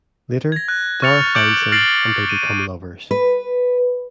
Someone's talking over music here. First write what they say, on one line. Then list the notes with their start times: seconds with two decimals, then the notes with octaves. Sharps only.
Later, Dara finds him, and they become lovers.
0.52 G#6 A#6
0.68 F#6
1.02 C#6 F6 A6 C#7 F7
1.35 D6 G6 C#7 D7 F#7
1.72 F6 A6 A#6 C7 D7 F#7
2.29 D#7
3.11 B4